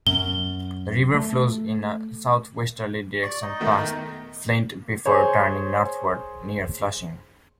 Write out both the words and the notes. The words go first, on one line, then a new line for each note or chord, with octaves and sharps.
The river flows in a southwesterly direction past Flint before turning northward near Flushing.
F#2 G7
A3
D5 C#6
D#4 D#5
E2 D#3 A3
G#4 C5 C#5